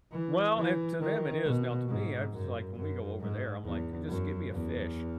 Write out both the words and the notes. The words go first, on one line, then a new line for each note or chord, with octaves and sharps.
Well and to them it is, now to me, I was, like when we go over there, I'm like, "Just give me a fish,"
E3
E3
D#3
B2
G#2
F#2
F#2
G#2
E2
F#2
E2